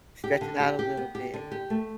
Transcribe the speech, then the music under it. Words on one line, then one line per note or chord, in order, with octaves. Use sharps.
Stretch it out a little bit.
G4
D3
G4
G4
B3
G4
D3
G4
A3